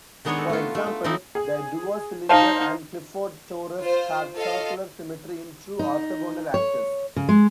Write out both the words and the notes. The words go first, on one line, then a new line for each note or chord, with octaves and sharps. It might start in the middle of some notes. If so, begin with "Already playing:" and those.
For example the duocylinder and Clifford torus have circular symmetry in two orthogonal axes.
D#3 G#3 B3 D4 D#4 C#5
A4
A3 F4
A3
A3
E3 C4 D#4
G#4
D#4 C5 F5 A5
F4 C5
F4 A4 D#5 F5
D#4
C#5
C#3
G#3